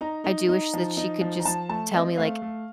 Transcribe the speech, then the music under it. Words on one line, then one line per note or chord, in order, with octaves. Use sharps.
I do wish that she could just tell me, like
D#4 A#5
D#4
D#4
F3
D#4
F3
A#5
F3 A5
A3 A5
C4 D#5
A3 F5
A3